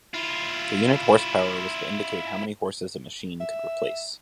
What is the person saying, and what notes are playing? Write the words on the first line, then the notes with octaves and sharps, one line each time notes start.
The unit horsepower was to indicate how many horses a machine could replace.
E4 F4
E5